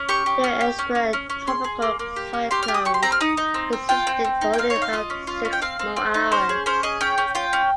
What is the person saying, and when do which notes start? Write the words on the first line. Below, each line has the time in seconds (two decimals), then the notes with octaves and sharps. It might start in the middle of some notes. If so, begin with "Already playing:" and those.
The extratropical cyclone persisted for only about six more hours.
Already playing: C#4
0.09 G4 C#6
0.26 G4
0.44 C#4
0.61 G4
0.79 C#4
0.95 C#4
1.13 C#4
1.30 C#4
1.47 G#4 C6
1.64 G#4
1.82 A#3
1.99 A#3
2.16 G4
2.33 C#4
2.51 G4 C6
2.63 F6
2.68 G4
2.74 D#6
2.85 G4 C#6
2.94 C6
3.03 C4 A#5
3.12 F6
3.21 D#4 D#6
3.37 D#4
3.54 C4
3.73 C4
3.89 F4 G5
4.07 C4
4.25 C4
4.41 D#4
4.53 G5
4.58 C4 F5
4.70 C#5
4.76 D#4
4.82 F5
4.93 F4 D#5
5.10 C#4
5.27 F4
5.45 C#4
5.53 G5
5.62 C4 F5
5.79 C4
5.96 C4
6.14 D#4
6.32 C#4 C5
6.49 G#4
6.66 C#4 C5
6.83 G#4 D#5
7.01 C#4 G5
7.18 C#4
7.35 F4 G5
7.53 C#4